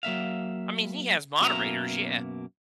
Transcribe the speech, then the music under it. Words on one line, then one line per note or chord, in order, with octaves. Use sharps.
I mean, he has moderators. Yeah.
F#3 A#3 E5 F5
F#2 B2 A#3 E5 A#5